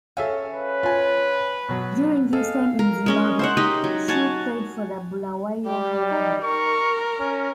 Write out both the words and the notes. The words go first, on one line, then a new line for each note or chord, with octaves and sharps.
During his time in Zimbabwe, Shue played for the Bulawayo Highlanders.
C#4 A4 E5 F5
B4
F4 G#5
B2 F#3
G#3 A4 F5
A#4
G#3 C#4 D#5
C5 E5 F#5
D#4 G4 D#5
F#3
F#4 C#5 G#5 A5
G3 G4
D#4
A#4 C#6
C#4